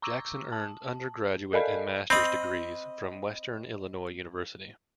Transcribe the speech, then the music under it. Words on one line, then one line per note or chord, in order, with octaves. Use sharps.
Jackson earned undergraduate and master's degrees from Western Illinois University.
A#5 C#6 D6 E6
A5
A4 A#4 D5 D#5 F5 B5
C4 D#5 B5